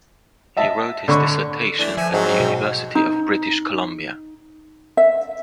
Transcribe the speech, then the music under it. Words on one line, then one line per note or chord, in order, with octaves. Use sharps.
He wrote his dissertation at the University of British Columbia.
D#5 E5 A5
D3 B5 C#6
E3 A3 D4
F3 E5 G#5
G#2 F#3 C4
B2
D#4
E5